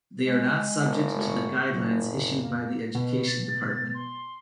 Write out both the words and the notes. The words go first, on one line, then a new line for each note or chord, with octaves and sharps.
They are not subject to the guidelines issued by the Education Department.
G#3
F#1
G#2 A3 F#4
F#1 F#2 A#2
A#3
B2
A6
C6